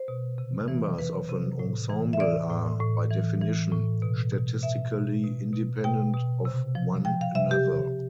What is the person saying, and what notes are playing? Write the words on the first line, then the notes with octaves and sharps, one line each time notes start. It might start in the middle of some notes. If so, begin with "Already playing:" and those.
Members of an ensemble are, by definition, statistically independent of one another.
Already playing: C5
B2
C3
E3
E3 B4
C3
A2
E3
E5
E3 D5
A2
A2
E3
E3
A2
B2
B2
B2 E5
B2
B2
B2
B2 G5
B2
C3
F3
F3 G5
F5
C3 E5
G4